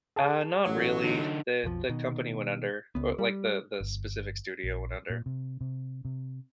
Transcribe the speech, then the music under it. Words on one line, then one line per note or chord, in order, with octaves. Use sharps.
Uh, not really. The the company went under or like, the the specific studio went under.
G#4 A5
A1 F#3 A3
D3 D#4
B1 F2 F3
B2 D#3
C#2 B3
G3
G1
A#1
A#2
C3
C3
C3